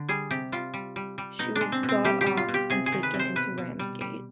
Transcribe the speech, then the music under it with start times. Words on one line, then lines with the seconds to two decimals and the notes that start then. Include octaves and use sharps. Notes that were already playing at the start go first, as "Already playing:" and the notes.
She was got off and taken into Ramsgate.
Already playing: D3
0.09 G3 G#4
0.31 C3 G4
0.52 G3 F4
0.74 G3
0.96 G3
1.18 G3
1.39 B2 D#4
1.56 D4
1.61 G#3
1.72 C4
1.83 B2
1.89 C4
2.05 G3 G4
2.21 G4
2.26 G3
2.37 F4
2.49 B2
2.54 G4
2.70 C3 G#4
2.86 G#4
2.92 D#3
3.03 B4
3.14 C3
3.19 C5
3.36 B2 B4
3.58 B2
3.79 G3
4.01 G3